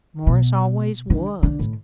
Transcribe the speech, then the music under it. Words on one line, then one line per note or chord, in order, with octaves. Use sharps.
Morris always was.
B2
D3
D3
A2